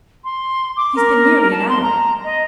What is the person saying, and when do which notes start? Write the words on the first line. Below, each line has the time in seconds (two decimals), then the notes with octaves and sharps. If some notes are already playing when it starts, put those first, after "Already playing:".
He's been nearly an hour.
0.25 C6
0.77 D6
0.96 A#4
1.51 A5
1.69 C6
1.82 A#5
2.25 D#5